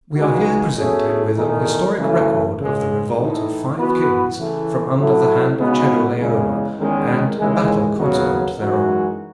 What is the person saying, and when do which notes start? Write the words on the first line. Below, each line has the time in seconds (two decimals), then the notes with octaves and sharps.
We are here presented with an historic record of the revolt of five kings from under the hand of Chedorlaomer, and a battle consequent thereon.
0.16 C#2 C#3 G#3 D#4 F#4
0.76 B2 A3 C#4 G#4
1.36 E2 D#3 A3 D#4 G#4
1.96 F#2 C#3 E3 A3
2.56 C#2 C#3 G#3
3.16 A2 E3 A3 D#4
3.76 E3 B3 F#4 B4
4.37 C#3 E3 A3
4.98 A2 F#3 A3 E4
5.57 C#3 G#3 B3 D#4 F#4
6.18 E2 C#3 G#3
6.78 E2 D#3 G#3 C#4
7.38 D#2 C#3 E3 G#3
7.98 D#2 C#3 F#3 B3 F#4
8.58 F#2 E3 G#3 D#4 F#4